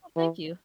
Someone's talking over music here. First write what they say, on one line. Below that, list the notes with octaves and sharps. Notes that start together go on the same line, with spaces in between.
Oh, thank you.
E3